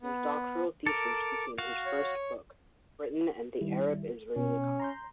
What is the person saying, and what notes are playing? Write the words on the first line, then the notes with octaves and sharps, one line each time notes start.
His doctoral thesis became his first book, "Britain and the Arab-Israeli Conflict".
B3
A4 A#4 D6
F#4 F5
C#5
D#3 G3 E4
B2 C#4
A#5 C6 G6